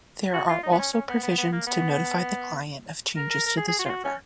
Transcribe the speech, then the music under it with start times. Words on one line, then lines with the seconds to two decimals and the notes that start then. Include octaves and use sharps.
There are also provisions to notify the client of changes to the server.
0.33 F#4
0.49 F4
0.63 D#4
0.72 B3
0.79 C#4
0.93 C#4
1.08 B3
1.23 B3
1.38 B3
1.52 A#3
1.67 B3
3.16 A#4
3.30 A#4
3.46 A#4
3.57 G#4
3.68 G#4
3.79 F#4
3.86 F4
3.89 F#4
4.04 C#4